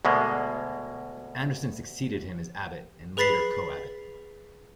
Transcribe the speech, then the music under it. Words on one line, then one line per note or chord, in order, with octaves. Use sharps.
Anderson succeeded him as abbot, and later co-abbot.
D2 B2 G#3 A#3
G#4 B4 B5 A6 B6 C7